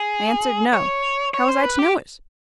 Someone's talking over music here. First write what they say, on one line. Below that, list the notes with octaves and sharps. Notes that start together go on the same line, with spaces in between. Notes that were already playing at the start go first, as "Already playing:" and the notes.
I answered, No; how was I to know it?
Already playing: G#4
C#5
C#5
C5
B4
G4